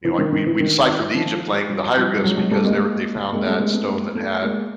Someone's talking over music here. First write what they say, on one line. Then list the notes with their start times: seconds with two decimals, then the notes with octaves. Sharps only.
You know, like, we we deciphered the Egypt lang the hieroglyphs because they're they found that stone that had
0.05 E3
0.18 D#3
0.32 D#3
0.46 E3
0.60 D#3
1.14 D#3 F3
1.69 F3 G3
1.97 F3 G3
2.15 G3
2.24 F#3 G#3
2.38 F#3 G#3
2.51 G3 A3
2.65 G#3 A#3
3.33 G#3 A#3
3.47 G3 A3
3.60 G#3 A#3
3.74 A3 B3
3.87 G#3 A#3
4.15 A3 B3
4.42 G#3 A#3